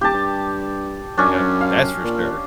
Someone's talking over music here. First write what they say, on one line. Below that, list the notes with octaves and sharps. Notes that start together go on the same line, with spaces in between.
Yep, that's for sure.
D#1 G4 A5
G2
F#2 C#4 D4
F5
A#2